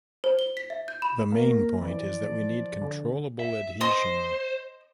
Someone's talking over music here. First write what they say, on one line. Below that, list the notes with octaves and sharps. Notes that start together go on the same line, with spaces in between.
The main point is that we need controllable adhesion.
C5
G7
B6
E5
G6
B5
A#3 A#4
E3 F3 D5
D3
E5
C5 D#5 C6 D#6